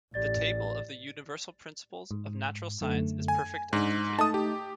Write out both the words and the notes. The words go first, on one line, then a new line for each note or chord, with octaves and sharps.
The table of the Universal Principles of Natural Science is perfect and complete.
A1 G4 D5 A6
G#2
F#2 D3 A3
G#5
G#2 D4
A3 D#4 A5 D#6
G4